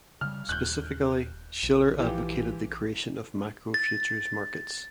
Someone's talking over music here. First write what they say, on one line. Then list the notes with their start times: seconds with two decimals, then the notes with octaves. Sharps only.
Specifically, Shiller advocated for the creation of macro futures markets.
0.21 C#3 G3 F6
0.49 D#1 F#6 G6
1.63 A#1
1.99 E3 F3 G4
3.74 A6